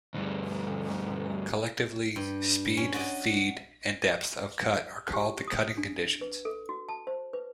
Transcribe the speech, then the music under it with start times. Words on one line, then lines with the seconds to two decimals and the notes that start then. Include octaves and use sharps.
Collectively, speed, feed, and depth of cut are called the cutting conditions.
0.14 D2 G2
2.16 G2
2.77 C#4
2.94 F#4 D5 D#5
5.13 G4
5.48 D#6
5.77 D4
6.21 B4
6.45 A4
6.69 F#4
6.89 A5
7.07 C5
7.33 B4